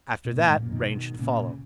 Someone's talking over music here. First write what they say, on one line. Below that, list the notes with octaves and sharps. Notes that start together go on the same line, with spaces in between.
After that rain should follow.
B2
A#2
G#2
F#2 A#2
B2 D#3
A#2 C#3
C#3